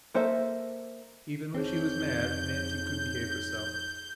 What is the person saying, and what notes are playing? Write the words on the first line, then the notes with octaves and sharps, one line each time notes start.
Even when she was mad Nancy could behave herself.
A#3 A4 C5 E5
F2 C4 D#4 G#4 C#5 G6